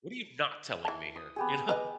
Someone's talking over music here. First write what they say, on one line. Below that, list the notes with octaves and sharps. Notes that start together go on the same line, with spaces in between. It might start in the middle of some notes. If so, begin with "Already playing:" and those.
"What are you not telling me here?" You know?
E3 A5
D#6
B3 G4 G#4
B4 D#5